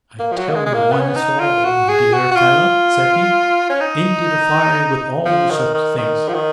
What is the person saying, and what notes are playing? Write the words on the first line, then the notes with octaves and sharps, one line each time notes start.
I tell you once for all, my dear fellow," said he, "into the fire with all such things!
A#3
F3
F#3
A#3
G#3
G#3
A#3
B3
C#4
B3
D#4
F4
F#4
G#4
F#4
F#4
F4
C#4
D#4
F3
D#3
D#3
D#3
F3
D#3